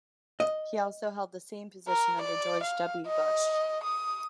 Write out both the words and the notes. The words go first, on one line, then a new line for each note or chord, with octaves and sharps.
He also held the same position under George W. Bush.
D#5
A#4
D5
F5
D#5
D#6